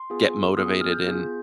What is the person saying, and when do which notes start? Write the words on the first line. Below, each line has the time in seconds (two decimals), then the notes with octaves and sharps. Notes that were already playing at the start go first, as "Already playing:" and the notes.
get motivated in
Already playing: C6
0.10 B3 F4 G#4
0.57 B3 F4 G#4 D#6
0.81 F6
0.92 G6
1.04 B3 F4 G#4